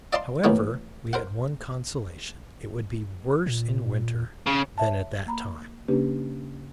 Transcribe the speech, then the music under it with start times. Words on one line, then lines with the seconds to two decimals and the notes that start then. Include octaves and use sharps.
However, we had one consolation,--it would be worse in winter than at that time.
0.13 D5 D#5 F5 A5 A#5 C6
0.44 A1 D#3 A#3 B3 C#5
1.13 A#4 C5 F#5
3.46 A#2
4.47 C#3
4.78 C#5 E5 A5
5.26 A#3 A#5 B5
5.88 C#3 A#3 C#4 D4 G4 B4